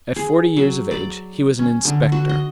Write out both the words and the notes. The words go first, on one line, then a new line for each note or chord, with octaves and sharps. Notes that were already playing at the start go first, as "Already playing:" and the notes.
At forty years of age he was an inspector.
G#4
F#3
D5
C#4
D3
F#4
D#5